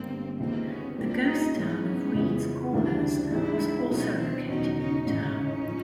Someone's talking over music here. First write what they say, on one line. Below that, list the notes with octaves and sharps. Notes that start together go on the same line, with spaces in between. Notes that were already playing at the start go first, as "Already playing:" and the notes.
The ghost town of Reeds Corners was also located in the town.
Already playing: G1 G2 D3 A#3 C4
C#2 C3 D#3 A#3 C4
B3 C#4
C2 A#2 G3 A#3 C4 D4
C#4 D#4
G#2 E3 G#3 B3 C#4
F2 C#3 E3 G#3
D2 C#3 E3 G3 C4 D4
G#2 E3 G#3 C4 D4 E4
B2 F#3 B3 C#4 D#4 E4 A4
C4 D4
E2 B2 F#3 C#4 D#4
C#4 D#4
A1 G#2 E3 C#4 D#4
A2 F3